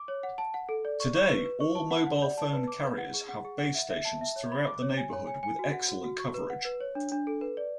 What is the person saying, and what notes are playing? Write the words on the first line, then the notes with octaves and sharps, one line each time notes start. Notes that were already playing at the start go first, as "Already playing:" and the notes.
Today, all mobile phone carriers have base stations throughout the neighbourhood, with excellent coverage.
Already playing: D6
C#5
F#5
A5
F#5
A4
D5
C#6
C#6
B4
B4
C#6
A5
F#5
F#5
D5
A5
B4
D6
B4
F#5
G#4
F#5
G#4
F#5
E5
E5
A5
E5
C#5
B5
D6
C#5
G#5
C#5
G#5
G#5
F#4
F#5
F#4
F#4
C#6
B4
F#5
B4
C#5
D4
D4
A4
B4
D5